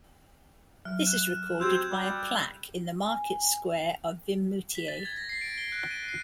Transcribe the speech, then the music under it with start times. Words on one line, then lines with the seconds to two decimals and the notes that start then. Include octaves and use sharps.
This is recorded by a plaque in the market square of Vimoutiers.
0.85 F#3 F6
1.05 F#6 E7
1.60 C4 F#4 G4 E6 G6 G#6
1.91 G3
3.05 G#5
4.75 B6
4.88 A6
5.05 G#6
5.17 A#6
5.29 C7
5.41 D7
5.58 G7
5.72 F#6
5.91 D#7
6.08 C7